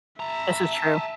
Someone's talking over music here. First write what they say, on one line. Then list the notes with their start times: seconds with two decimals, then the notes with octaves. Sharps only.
This is true.
0.20 E5 A5 A#5